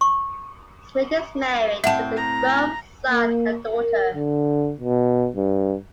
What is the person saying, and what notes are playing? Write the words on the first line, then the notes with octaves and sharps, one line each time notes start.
Smith is married with a grown son and daughter.
C#6
A2 C4 E5 F#5 A5
A#5
A#3
A#4
D3
B2
G2